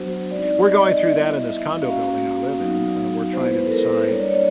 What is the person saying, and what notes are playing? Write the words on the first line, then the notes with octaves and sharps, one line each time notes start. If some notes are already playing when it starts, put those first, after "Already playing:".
We're going through that in this condo building I live in, uh, we're trying to decide,
Already playing: F#3 B3 D4 F#4 C5
G#3 C4 D#4 D5
D#5
D5
D#5
G3 B3 E4 E5
E5
A#3 C#4 F#4 F5
F#3 B3 D#4 F#4
G#3 B3 E4 C5
B4
A4
A#4
B4
C5
G3 A#3 D4 C#5
D5
C#5